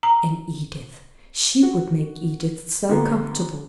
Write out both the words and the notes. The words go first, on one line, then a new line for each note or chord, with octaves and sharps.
And Edith--she would make Edith so comfortable!
A#5
F#4
D3 G3 A#3 B3